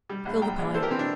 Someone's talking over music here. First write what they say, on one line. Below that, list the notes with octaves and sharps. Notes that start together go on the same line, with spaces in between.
Fill the pie.
G3
A#1
G3 G5 A#5
A#1
E3 A4 C5
G4 A#4
E3 C4
D4